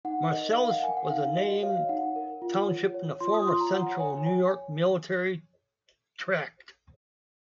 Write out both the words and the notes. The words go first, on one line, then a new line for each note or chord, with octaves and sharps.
Marcellus was a named township in the former Central New York Military Tract.
D#4 F#5
A#4 D#5
A#4 F5
F#5
A#4 G#5
F#5
D#4 F5
F#4 D#5
C#5 F5
D#4 F#5
A#4
F4
C#5
C#5
F4 C6
D#6
F4 C6
A#5
C#5 F#5
C#5 G#5
C#5 G#5